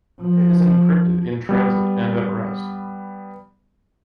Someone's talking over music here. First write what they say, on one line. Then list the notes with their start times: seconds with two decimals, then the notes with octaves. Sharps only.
Data is encrypted in transit and at rest.
0.21 F3
1.49 G3 B3